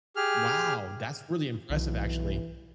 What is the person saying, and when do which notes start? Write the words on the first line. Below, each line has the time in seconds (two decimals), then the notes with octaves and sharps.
Wow, that's really impressive, actually.
0.16 G4 G#4 F6
1.70 B1 E3